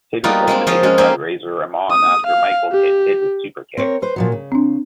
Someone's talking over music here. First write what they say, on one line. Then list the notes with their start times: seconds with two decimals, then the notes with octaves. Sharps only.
Sid was eliminated by Razor Ramon after Michaels hit Sid with superkick.
0.24 G3 A#3 B3 D#4 F4 F#4
0.47 G#3 A#3 C4
0.67 F3 F4 G#4 C5 C#5 D#5
0.83 G#3 C#4 G#4
0.98 A#3 C#4 G4 C5 G#5
1.91 D#6
2.27 F5
2.72 G4
3.77 C4 A#4 C#5
4.02 B4 C5
4.16 A#2 F3 F#3
4.32 C#3
4.52 C4 D4